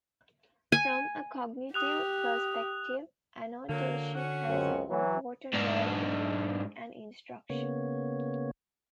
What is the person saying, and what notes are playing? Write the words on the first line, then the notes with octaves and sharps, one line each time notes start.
From a cognitive perspective annotation has an important role in learning and instruction.
G#5
G4 D#6 F#6 F7
D3 F#3 A#3
C#4 F#4
C#2 F#2 C4
E3 F#3
G#2 D4
C#3 A#3 B3 C#5